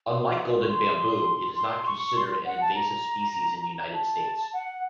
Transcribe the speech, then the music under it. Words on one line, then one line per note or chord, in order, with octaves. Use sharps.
Unlike golden bamboo, it is not considered an invasive species in the United States.
C6
C#6
C6
C6
C6
C6
C#6
C6
F#5
A5
A#5
A5
F#5